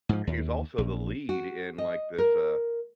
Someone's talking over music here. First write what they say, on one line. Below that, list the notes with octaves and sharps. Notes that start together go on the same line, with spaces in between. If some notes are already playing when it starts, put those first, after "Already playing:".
he's also the lead in, like, this, uh,
G#2 F3
D#2
A#1
F#4
D#5
A#4